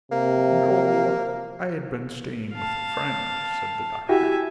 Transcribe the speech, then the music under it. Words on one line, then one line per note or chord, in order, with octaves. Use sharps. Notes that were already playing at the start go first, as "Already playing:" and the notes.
"No, I had been staying with a friend," said the doctor.
C3 A#3
F5 A5
E4 F#4 G4 E5 G#5